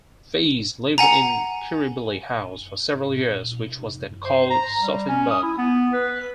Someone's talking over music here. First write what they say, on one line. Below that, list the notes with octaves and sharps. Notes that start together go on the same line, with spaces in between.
Feez lived in Kirribilli House for several years which was then called Sophienberg.
F#5 G#5 A#5
C5
A#5
G3
C#4
D#6
E4
B3
B4